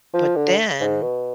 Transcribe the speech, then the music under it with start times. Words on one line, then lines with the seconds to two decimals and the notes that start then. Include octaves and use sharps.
but then
0.14 F3
0.36 D3
0.80 G#2
1.02 B2